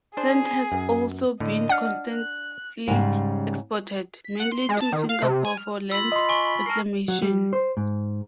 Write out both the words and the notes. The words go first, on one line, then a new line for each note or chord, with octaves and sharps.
Sand has also been constantly exported, mainly to Singapore for land reclamation.
D4 G#4 C5
F#2
A2 D3 D#5
D4 F#5 F6
F#6
G#2 C#3 G3
B6
F#5
C6
G#3
A5
D#3
F5
C3
G#5
F6
F4 B5 E6 F#7
D#5 C6
G#5 C#6 G7
A#4 A5 C7
F#3
G3
C5
G#2